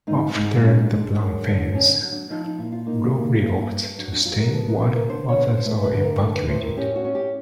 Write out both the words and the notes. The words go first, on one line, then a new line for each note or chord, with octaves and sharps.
After the plan fails, Lowery opts to stay while others are evacuated.
G#2 D#4
G#2 D#4
G#3 C#4
D#4
D4
G#3
D4
F#2
D3
D3 C#4
D4
F#3
D4
F3 D#4
D#4
A#2 E4
F4
A#3 D#4
A#3
G2
G2
F#3 D4
D4
F#3 F4
A#4
B3 A4
A#4
A#2 B4
A#4
D3 C5
C#5
B3
C5
C5
A3 B4
B4
D3
A#4
A2 A4
B4
A2 C5
A#4
C#4 G4
F#4
C#4
G4